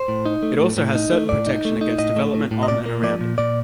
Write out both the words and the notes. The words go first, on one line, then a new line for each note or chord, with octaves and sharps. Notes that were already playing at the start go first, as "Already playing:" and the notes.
It also has certain protection against development on and around it.
Already playing: C5
A2
D#4
A3
A2
A2
D#4
A3
A2 D5
D#4
A3
D#4
A2 D#5
A3
A2
A2
D#5
A#2 D5
A#3
F3 D5
A#2
A#2 D5